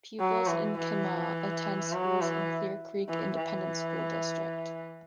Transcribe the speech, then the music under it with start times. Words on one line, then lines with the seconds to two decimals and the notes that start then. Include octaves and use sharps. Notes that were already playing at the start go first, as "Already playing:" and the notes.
Pupils in Kemah attend schools in Clear Creek Independent School District.
0.19 F#3
0.47 E3
0.77 E3
1.93 F#3
2.21 E3
3.09 E3
3.37 E3